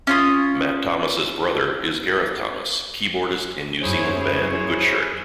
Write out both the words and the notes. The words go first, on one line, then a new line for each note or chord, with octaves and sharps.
Matt Thomas' brother is Gareth Thomas, keyboardist in New Zealand band Goodshirt.
C#4 F4 D#6
F#2 E4 G#4 C5 C#5